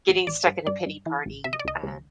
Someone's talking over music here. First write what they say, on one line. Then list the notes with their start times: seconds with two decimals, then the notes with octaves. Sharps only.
getting stuck in a pity party um,
0.09 A1
0.27 A1 D5
0.47 G2
0.67 G2 D5
0.86 G2
1.06 E3
1.26 A1
1.44 C3 E5
1.53 D#5
1.60 D5
1.65 C#2 D#5
1.83 C#2